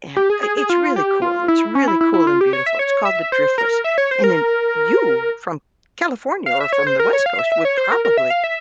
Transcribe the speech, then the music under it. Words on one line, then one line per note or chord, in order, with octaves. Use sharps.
and i it's really cool It's really cool and beautiful. It's called the Driftless, and then, you, from California or from the West Coast, would probably
G4
G#4
G#4
G#4
F4
G4
F4
E4
C#4
E4
E4
E4
F4
G4
C#5
E5
C#5
E5
C5
A#4
E5
C#5
C5
A#4
F5
E5
C#5
C5
A#4
C#5
F5
E5
E5
C#5
C5
A#4
A#4
E5
F5
E5